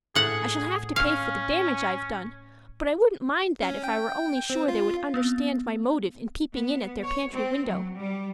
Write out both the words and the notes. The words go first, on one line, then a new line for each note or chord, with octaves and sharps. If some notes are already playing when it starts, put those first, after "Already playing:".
I shall have to pay for the damage I've done, but I wouldn't mind that if I were only sure they would understand my motive in peeping in at their pantry window.
A2 G#4 F#5
C#4 F5
C#4
G5
C4
F4
B3 C4 F5
B3
C#5
C4
F#3
G3